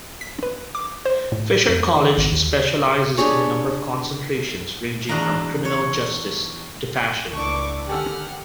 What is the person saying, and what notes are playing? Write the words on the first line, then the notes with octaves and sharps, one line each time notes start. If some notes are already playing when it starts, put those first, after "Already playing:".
Fisher College specializes in a number of concentrations ranging from Criminal justice to Fashion.
B6
B4
D6
C5
A2
F2
D#3
G#1
D#2
D4 G4 G#4 C#5
E2 D4 F#4 D#5 F5 A#5
C#5
C#2 A3 D4 E4 C#6 D6
D3 D#3 G4 A4 F#5 G#5 F6